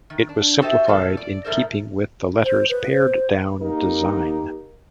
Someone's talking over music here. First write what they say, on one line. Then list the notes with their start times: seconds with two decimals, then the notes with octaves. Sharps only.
It was simplified in keeping with the letter's pared-down design.
0.10 D#3
0.29 D4
0.61 F#4 G4 A4 C5 D#5 E5
0.88 B2 F3 G3 A4
1.17 D5
1.45 G#2 A3 A#4 C5
2.44 C5
2.70 B4
2.92 C5
3.61 A#3 D#4 G4 A#4